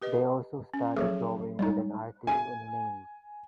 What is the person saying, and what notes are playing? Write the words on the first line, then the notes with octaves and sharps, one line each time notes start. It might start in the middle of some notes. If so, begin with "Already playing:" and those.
They also studied drawing with an artist in Mainz.
G4 B4 D#5
C#4
F3 F#3 A#3 G#4 A4 C#5
G3 G#3 D#4 C#5
G#5